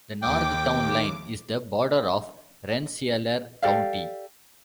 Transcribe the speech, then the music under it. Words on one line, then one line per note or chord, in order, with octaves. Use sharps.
The north town line is the border of Rensselaer County.
D#2 G5 D6
G4 A4 D5 F5